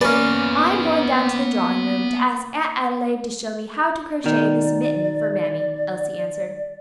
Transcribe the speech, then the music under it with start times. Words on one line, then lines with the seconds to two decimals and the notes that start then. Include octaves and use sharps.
"I am going down to the drawing-room to ask Aunt Adelaide to show me how to crochet this mitten for mammy," Elsie answered.
0.01 A#3 B3 C#4 B4 D5 G#5
4.24 B2 D#3 D5